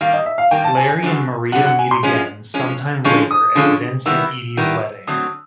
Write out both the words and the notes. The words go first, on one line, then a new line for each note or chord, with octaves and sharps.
Larry and Maria meet again some time later at Vince and Edie's wedding.
D#3 G3 A#3 F5
D#5
E5
F5
D#3 G3 A#3 G5
A5
G#5
G#5
F#2 D3 F#3
F#2 D3 F#3 F#5
F#5
G#5
C6
F3 G#3 C#4
F3 G#3 C#4
D3 F3 G#3 C#4 C#6
D#6
D3 F3 G#3 C#4
D#3 G3 B3 E4 E6
D#3 G3 B3 E4
D3 F#3 A3 C4 D#6